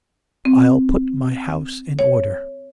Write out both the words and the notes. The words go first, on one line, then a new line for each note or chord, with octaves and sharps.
I'll put my house in order.'
C4
C#5